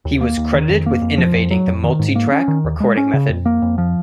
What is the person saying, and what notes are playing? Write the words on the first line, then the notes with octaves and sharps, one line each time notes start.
He was credited with innovating the multitrack recording method.
D#2
A#3
D#2
D#3
F2
A#3
F2
F3
F2
F#3
F2
D#3
G#2
A#3
C#4
D#3
D#2
G#3
C#4
C#3
F2
A#3
F2
F3